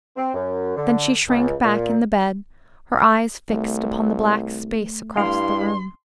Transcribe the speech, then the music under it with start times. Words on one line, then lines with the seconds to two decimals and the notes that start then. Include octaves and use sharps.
Then she shrank back in the bed, her eyes fixed upon the black space across the room.
0.16 C4
0.34 F#2
0.77 D3
1.29 C#2
1.64 A#2
3.50 C2 A3
5.17 G2 E4 F5 C6